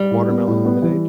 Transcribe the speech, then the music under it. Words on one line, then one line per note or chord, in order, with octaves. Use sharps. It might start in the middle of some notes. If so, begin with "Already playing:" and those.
a watermelon lemonade.
Already playing: G3
A2
B3
A2
B3
E3